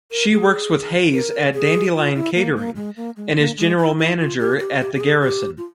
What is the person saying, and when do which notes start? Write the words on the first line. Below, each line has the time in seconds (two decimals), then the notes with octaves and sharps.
She works with Hayes at Dandelion Catering and is general manager at The Garrison.
0.11 A#4
0.32 G#4
1.13 A#4
1.54 G#4
1.94 F4
2.15 E4
2.35 A#3
2.56 A#3
2.76 G#3
2.96 A#3
3.17 G#3
3.37 A#3
3.58 G#3
3.78 E4
3.99 E4
4.19 F4
4.39 G4
4.59 G4
4.80 G4
4.94 G4
5.01 G#4
5.21 G4
5.57 F4